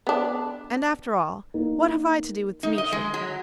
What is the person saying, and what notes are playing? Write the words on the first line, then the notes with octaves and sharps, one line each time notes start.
And after all, what have I to do with Dmitri?
B3 D4
A#3 D#4
D#4
D#5
G#3
F#3